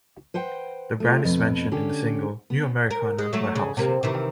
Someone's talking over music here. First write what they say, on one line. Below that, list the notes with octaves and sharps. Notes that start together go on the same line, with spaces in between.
The brand is mentioned in the single "New Americana" by Halsey.
B4 C5 F#5 G5
A3 F4
F2 B2 B4
D3 C#4 G4
B3
A#4
G#3
F#3 A3
C#3
C3 A#3
C3 D#3 E3